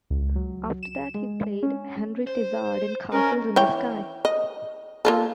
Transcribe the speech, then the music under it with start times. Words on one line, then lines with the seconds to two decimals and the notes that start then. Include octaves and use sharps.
After that, he played Henry Tizard in "Castles in the Sky".
0.10 C#2
0.36 F#3
0.83 E7
1.14 G#3
1.63 C#4
2.27 C5
3.12 C#4 A#4 B4 D#5
3.56 E3 C#5 G5
4.25 D#5
5.05 A#3 F4 A4